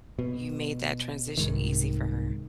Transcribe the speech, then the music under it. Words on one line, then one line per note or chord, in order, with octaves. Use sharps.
you made that transition easy for her,
B2
C2 G#2 D#3